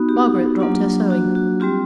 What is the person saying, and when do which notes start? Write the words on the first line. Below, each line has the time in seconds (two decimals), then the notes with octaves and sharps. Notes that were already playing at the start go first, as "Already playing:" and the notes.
Margaret dropped her sewing.
Already playing: B3 D#4 F#4
0.09 G4
0.59 F#3 A#3 D4 F4
1.10 F#4
1.35 F#4
1.60 G3 C4 F4 G4